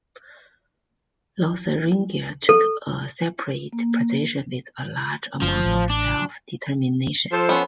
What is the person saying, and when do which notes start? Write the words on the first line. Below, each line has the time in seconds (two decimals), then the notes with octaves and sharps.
Lotharingia took a separate position with a large amount of self-determination.
2.49 A4
3.73 A#3
5.42 F#1 F3
5.64 A1
5.90 D4
7.32 F3 A4 C5
7.49 B3 C#4